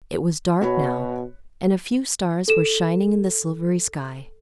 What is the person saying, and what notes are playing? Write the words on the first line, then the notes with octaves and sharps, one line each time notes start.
It was dark now, and a few stars were shining in the silvery sky.
B2 F#4 C#5 B5
A4 E7